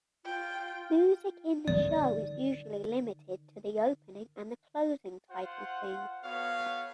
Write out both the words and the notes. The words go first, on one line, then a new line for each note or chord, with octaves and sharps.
Music in the show is usually limited to the opening and closing title theme.
F4 G5
D3 D#3 D5
F4 C5 F#5
B3 F#4 A4 C#5 F5